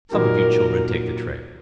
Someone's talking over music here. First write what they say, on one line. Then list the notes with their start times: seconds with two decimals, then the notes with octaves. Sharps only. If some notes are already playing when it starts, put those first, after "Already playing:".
Some of you children take the trick.
0.12 A#2 F#3 A#3 D#4 G4 A#4